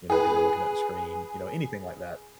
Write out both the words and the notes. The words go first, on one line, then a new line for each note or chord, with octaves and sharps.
you know, 'cause you're looking at the screen, you know, anything like that.
G#4 B4